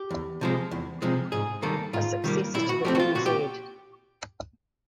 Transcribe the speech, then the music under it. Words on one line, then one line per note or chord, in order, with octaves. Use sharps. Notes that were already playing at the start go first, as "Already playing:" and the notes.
A successor to the vz.
Already playing: G4
E2
C3 F3 G#3
E2
C3 F3 G#3
G#2 G#4
D#3 G3 A#3 A4
G#2 F4
D#3 G3 A#3
A#2 E4
F#4
F3 A3 C4 G4
F#4
F4
A#2 F#4
G4